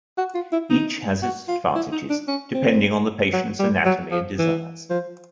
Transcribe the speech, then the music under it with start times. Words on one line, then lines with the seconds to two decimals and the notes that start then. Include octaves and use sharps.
Each has its advantages depending on the patient's anatomy and desires.
0.18 F#4
0.34 F4
0.52 E4
0.70 D#4
1.22 F#4
1.48 F4
1.75 E4
1.92 D#4
2.10 D4
2.28 C#4
2.55 C4
3.33 F#3
3.59 G3
3.85 F#3
4.11 F3
4.39 E3
4.90 F3